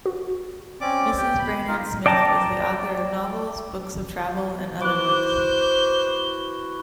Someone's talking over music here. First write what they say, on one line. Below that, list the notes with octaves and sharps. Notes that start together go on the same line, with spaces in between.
Mrs. Brainerd Smith was the author of novels, books of travel and other works.
F#4
C4 C#4 D5 D6
G4 G5
B5
D#4 F4 A#4
D5 G5 A5 A#5 D6
E4 F#4 B4 C5 D6 F#6 G6